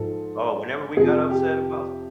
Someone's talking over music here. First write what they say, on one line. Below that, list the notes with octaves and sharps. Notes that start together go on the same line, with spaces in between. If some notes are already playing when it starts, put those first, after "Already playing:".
Oh, whenever we got upset about the
Already playing: G#2 F3 A4
F2 C3 F3 G#4
G4